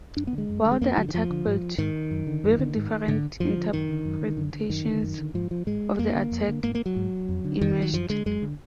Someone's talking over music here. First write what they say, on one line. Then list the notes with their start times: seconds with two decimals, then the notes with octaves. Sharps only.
While the attack failed, very different interpretations of the attack emerged.
0.17 F#2 D4
0.27 B3
0.33 D3
0.38 G#3
0.49 F#2
0.65 D3
0.72 G#3
0.81 F2 A#3
0.97 D3 F#3
1.09 D#3
1.14 F2 F3
1.30 D3
1.47 G#2
1.78 G#2 D#3
2.11 F#2
2.27 D3
2.44 F#2
2.59 D3
2.76 G#2
3.08 G#2 D3
3.40 F#2 F3
3.56 D3
3.72 F#2 D#3
3.89 D3
4.05 F#2
4.21 D3
4.37 F#2 D3
4.54 D3
4.69 F#2 D#3
4.86 D3
5.02 F#2
5.18 D3
5.34 G#2 F3
5.51 F3
5.66 G#2 G#3
5.99 F2 A#3
6.15 D3
6.31 F2
6.48 D3
6.64 G#2 A#3
6.75 A#3
6.86 F#3
6.96 G#2
7.29 F2
7.45 D3
7.61 F2 D#3
7.77 D3
7.82 F#3
7.93 F#2 F3
8.10 D3 G#3
8.26 F#2 G#3
8.42 D3